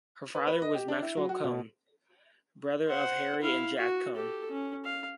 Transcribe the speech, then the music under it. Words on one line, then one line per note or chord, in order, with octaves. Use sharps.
Her father was Maxwell Cohn, brother of Harry and Jack Cohn.
B4
B4
D#5
G4
D4
E4
F#3
F#4
B2
C5 F#5
E4 F5
F#4
G4 A4
C#4
F5